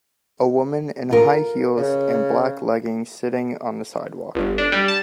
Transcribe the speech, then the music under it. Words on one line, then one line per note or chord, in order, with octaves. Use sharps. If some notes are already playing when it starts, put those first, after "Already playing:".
A woman in high heels and black leggings sitting on the sidewalk.
F4 A#4
C#3
G1
D4
G3
A5